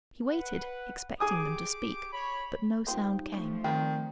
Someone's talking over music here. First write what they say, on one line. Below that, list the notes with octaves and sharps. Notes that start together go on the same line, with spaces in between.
He waited, expecting them to speak, but no sound came.
B4 F#5
G4 G#4 G#5 D6 D#6
C#5 B5
G3 A#3 C4 D#4 F4 G4
F3 A3 C#4 D4
D#3 C4 C5 D5 F5 G5